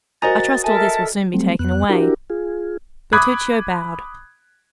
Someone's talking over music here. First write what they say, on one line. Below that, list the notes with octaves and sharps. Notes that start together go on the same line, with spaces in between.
"I trust all this will soon be taken away." Bertuccio bowed.
F#4 A#4 C5 D#5 G#5 A#5 A6
A4 A#4 E5 G#5 A5
F#3 G3 A3 C4
F2 B3 F#6
D4 E4 F#4 G4 A#4
F4 G#4
B5 D6 D#6 F#6 G#6